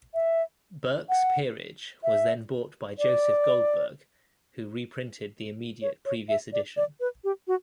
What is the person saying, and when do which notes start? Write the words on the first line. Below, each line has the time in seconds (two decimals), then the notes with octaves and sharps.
"Burke's Peerage" was then bought by Joseph Goldberg, who reprinted the immediate previous edition.
0.14 E5
1.09 F#5
2.03 E5
2.99 D5
5.82 C#5
6.06 C#5
6.29 E5
6.53 D5
6.77 D5
7.00 B4
7.24 G4
7.48 F#4